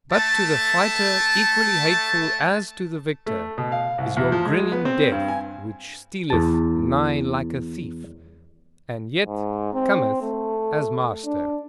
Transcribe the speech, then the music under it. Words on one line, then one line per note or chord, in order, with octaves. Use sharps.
But to the fighter equally hateful as to the victor, is your grinning death which stealeth nigh like a thief,--and yet cometh as master.
A3 A5
A3
B2
F5
C2
E2
F3
G#3
B3
C4
G2
G#5
E2 A5
G#2
C4
A3
D4